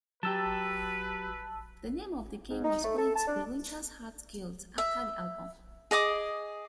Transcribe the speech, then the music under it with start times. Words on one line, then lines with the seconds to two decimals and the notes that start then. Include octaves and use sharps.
The name of the game was going to be "Winterheart's Guild", after the album.
0.23 F#3 G4 B4 A5 E6
2.50 G#2
2.64 D#4
2.84 A3
2.98 A4
3.15 A5
3.27 D4
4.78 E5
5.91 G#4 D#5 D6 D#6